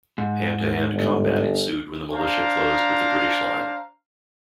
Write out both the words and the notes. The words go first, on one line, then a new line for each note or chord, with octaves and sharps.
Hand-to-hand combat ensued when the Militia closed with the British Line.
G#2
G1
D4 C5 F5 A#5